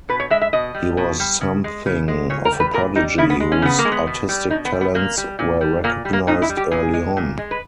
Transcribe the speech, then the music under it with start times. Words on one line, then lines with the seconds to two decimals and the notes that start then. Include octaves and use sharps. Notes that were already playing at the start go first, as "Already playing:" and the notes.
He was something of a prodigy whose artistic talents were recognised early on.
0.09 B2 B4
0.20 C#5
0.30 G#3 E5
0.41 E5
0.53 B2 D#5
0.75 G3
0.97 B2
1.20 G3
1.41 C#3
1.64 G#3
1.86 C#3
2.08 G#3
2.30 A#2 C#5
2.45 A#4
2.52 G3
2.60 B4
2.74 A#2 A#4
2.96 G3 D#4
3.18 C#3 E4
3.30 B3
3.40 G#3
3.52 C#4
3.62 C#3 B3
3.79 A#3
3.85 G#3
3.92 B3
4.07 B2
4.29 G3
4.50 B2 D#4
4.65 B3
4.73 G3
4.81 B3
4.94 A#2 A#3
5.18 G3
5.39 A#2
5.61 G3
5.84 A#2 A#3
6.05 G3
6.13 A#3
6.27 A#2 D#4
6.42 E4
6.49 G3
6.57 G4
6.71 A#2 G#4
6.94 G#3
7.17 A#2
7.38 G#3
7.51 B4